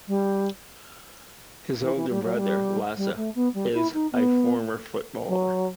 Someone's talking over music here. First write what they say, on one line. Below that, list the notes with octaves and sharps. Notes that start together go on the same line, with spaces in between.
His older brother, Lasse, is a former footballer.
G3
E3
E3
G3
F#3
A3
G3
G3
A3
B3
G3
E4
D#4
B3
F#3